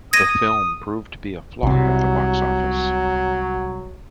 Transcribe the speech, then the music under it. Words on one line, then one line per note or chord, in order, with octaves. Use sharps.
The film proved to be a flop at the box office.
D#6 G#6 A#6 D#7
C2 C3 F#3